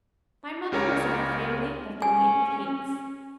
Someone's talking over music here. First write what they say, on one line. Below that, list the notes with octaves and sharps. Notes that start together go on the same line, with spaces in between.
My mother was of a family of the name of Hanks.
C#2 C#3 G4 A#4 C#5 A#5
C#4 G#5